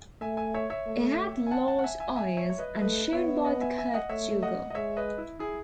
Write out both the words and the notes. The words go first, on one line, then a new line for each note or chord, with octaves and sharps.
It had large eyes as shown by the curved jugal.
A3 E5 G#5
E5 G#5
C#5 E5
C#5 E5
A3
G#5
F#5 A5
F#5 A5
F#5
E5 G#5
E5 G#5
E5 G#5
C#5 E5
C#5
B4 D#5
E5
A3 B4 D#5
B3 C#5 E5
D#5 F#5
E5 G#5
E5 G#5
D#5 F#5
A3 C#5 E5
D#5 F#5
D#5
G#3 C#5 E5
B4 D#5
E4
E4 G#4